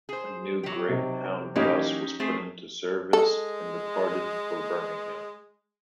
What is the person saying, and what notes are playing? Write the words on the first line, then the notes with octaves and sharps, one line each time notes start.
A new Greyhound bus was put into service and departed for Birmingham.
G#4 C5
F#3 G4
C3 D#4
E3 F#3 A#3 C#4 D#4 G4
A3 C4 G#4
G#3 A4